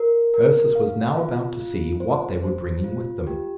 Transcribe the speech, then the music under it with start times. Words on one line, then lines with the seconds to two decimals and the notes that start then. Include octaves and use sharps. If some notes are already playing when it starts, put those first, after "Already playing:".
Ursus was now about to see what they were bringing with them.
Already playing: A#4
0.34 A#4
0.75 F5
1.17 F4
1.59 F4
2.00 C5
2.43 C5
2.84 F4
3.27 G4